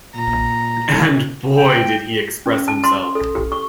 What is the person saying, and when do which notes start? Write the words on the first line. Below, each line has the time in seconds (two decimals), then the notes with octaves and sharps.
And, boy, did he express himself.
0.15 A#2 A#5
1.55 G5
2.46 C#4
2.68 A5
2.84 C6
3.15 A4
3.35 G4
3.52 C#6